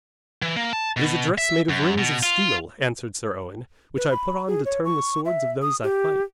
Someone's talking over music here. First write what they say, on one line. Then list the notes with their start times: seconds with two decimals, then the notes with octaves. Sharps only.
'It is a dress made of rings of steel,' answered Sir Owen, 'which I put on to turn the swords of those I fight.'
0.42 E3
0.57 A#3
0.73 A5
0.97 B2
1.38 E5
1.69 F#2
1.98 B2
2.23 F4
3.97 B4
4.11 B5
4.47 G#4
4.65 C#5
4.85 C#6
5.25 E5
5.62 D#6
5.84 G4